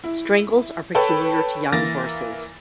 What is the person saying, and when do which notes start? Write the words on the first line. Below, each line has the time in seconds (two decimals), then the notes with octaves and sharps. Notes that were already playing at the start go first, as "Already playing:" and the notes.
Strangles are peculiar to young horses.
0.04 E4
0.95 A4 B4 C#5 G5 A5 B5
1.72 E3 A#3 A6 A#6